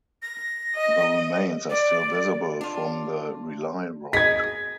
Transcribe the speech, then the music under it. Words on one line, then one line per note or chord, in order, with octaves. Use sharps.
The remains are still visible from the Rely road.
A#6
D#5
D5
D4 F4
G#4 A#4 D#5 G#6 B6